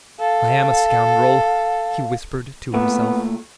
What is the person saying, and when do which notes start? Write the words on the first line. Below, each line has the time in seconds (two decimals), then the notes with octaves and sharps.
"I am a scoundrel," he whispered to himself.
0.19 A4 F5
2.74 A#2 A3 B3